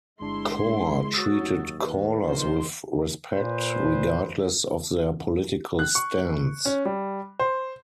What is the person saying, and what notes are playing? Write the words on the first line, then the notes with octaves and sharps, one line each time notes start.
Core treated callers with respect regardless of their political stance.
G1 G#3 D4 E4 C6
F#3 F#4 D#6 E6 A6
D#2
D#3 B4
A#1 D#3 C5 C6
A#2 B4 C5
F#6
C#6
C#4
G3
C5